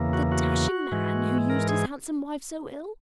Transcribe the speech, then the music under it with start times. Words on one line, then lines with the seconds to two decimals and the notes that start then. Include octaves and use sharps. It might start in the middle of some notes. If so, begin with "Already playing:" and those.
The dashing man, who used his handsome wife so ill?'
Already playing: E2 C#3 E3 A#3
0.13 F#4
0.32 F#4
0.91 G#2 E3 G#3
1.50 A#4
1.69 G#4